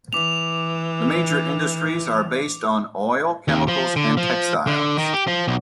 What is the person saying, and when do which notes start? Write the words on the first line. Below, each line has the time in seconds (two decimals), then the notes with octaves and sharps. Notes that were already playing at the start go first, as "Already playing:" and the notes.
The major Industries are based on oil, chemicals, and textiles.
0.13 E3 D6 F7
3.48 D#2
3.68 F3
3.96 D3
4.17 F3
4.67 D3
4.98 D#3
5.13 G4
5.27 F3
5.48 B1